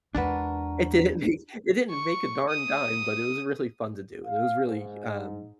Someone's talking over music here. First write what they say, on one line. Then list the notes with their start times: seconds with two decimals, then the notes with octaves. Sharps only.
It didn't make it didn't make a darn dime, but it was really fun to do, and it was really, um
0.15 E2 G#3 D4 F#4 A#4 B4 A5
1.90 C#6
2.49 D#6
4.25 F5
4.66 G#2